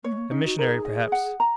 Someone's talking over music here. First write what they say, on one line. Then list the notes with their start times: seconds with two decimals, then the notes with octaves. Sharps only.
"A missionary, perhaps."
0.04 A#3 C#5
0.12 G#3
0.17 A#3
0.31 C#4 D#4
0.45 F#4
0.58 G#4 A#4
0.85 D#5
1.12 F#5
1.40 A#5